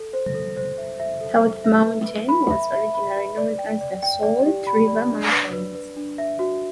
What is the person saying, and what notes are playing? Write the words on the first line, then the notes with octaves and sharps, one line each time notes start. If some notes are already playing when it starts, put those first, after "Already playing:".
South Mountain was originally known as the Salt River Mountains.
Already playing: A4
C5
A4
C5
E5
E5
A4
A4
E5
B4
B4
B5
E5
E5
B5
B4
D5
G5
D5
G5
D5
G4
B5
D5
D4
B4
B4
B4
D4
E5
F#4